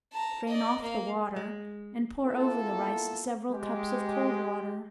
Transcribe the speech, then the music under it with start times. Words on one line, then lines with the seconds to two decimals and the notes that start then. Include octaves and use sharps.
Drain off the water and pour over the rice several cups of cold water.
0.12 A5 A#5
0.48 D5 D#5
0.81 A#3 F5
1.36 G#3
2.24 A#3 B3 E4 F4 A4
3.52 G#3 G4